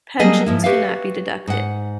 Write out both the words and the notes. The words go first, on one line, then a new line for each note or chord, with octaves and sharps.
Pensions cannot be deducted.
F#3 G3 A#3 G#4 A4 D#5
G#2 F3 E4
F#4 G4 B4 C#5 E5 F5
G#2 F#5